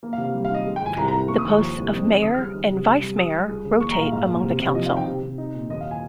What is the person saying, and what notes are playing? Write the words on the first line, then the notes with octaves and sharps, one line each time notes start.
The posts of mayor and vice-mayor rotate among the council.
A#3
F5
C3
F5
G3
F5
D#3 D#5
G#3
G5
G#2
G#5
C2 A#5
A#5
C2
A#3 C#6
D#6
D#2
C#6
F3
C2
F2
D#3
C#3 D#6
F6
G3
F6
D#3
C3
G3
G3
G3 D#6
G3
C#2
C#3
A#3 C#6
A#5
A#2 F5
G#2 F5
A#3
C3
C3
F3 D#5
F5
D#4 G5
C3
C3
D#4
A#2
D#2 D#5
F5
G#5